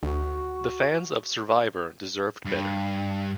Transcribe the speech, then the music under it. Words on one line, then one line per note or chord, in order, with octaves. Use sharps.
The fans of "Survivor" deserved better.
D2 F#4
G2